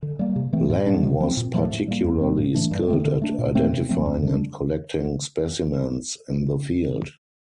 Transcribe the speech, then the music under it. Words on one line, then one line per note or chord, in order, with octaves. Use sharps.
Lang was particularly skilled at identifying and collecting specimens in the field.
D3
G3 A#3
C3
E3 A3 C4
A2
G3 D4
C3
F3 C4
A#2
F3 A3
A2
G3 A#3
F2
C3 G3 C4
A2
E3 A3 D4
G2
D3 A3 C4
D3
A3 D4
A#2
A3 C4
C3
F3 A3 C4
F2
D3 G3 D4